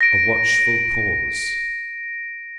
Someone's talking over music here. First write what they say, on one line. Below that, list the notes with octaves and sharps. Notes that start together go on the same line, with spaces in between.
A watchful pause.
A#6 D7